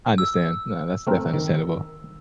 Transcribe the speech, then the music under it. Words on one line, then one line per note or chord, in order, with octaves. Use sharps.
I understand. No, that's definitely understandable.
E6
A3 C4 A#4
D#3